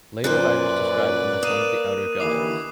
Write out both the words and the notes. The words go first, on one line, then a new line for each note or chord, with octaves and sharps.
Later writers describe him as one of the Outer Gods.
F#2 A#2 F3 B4 C5 D5 F#6
A#3 D#6 D#7 E7
D#2 D3 E3 D6 C7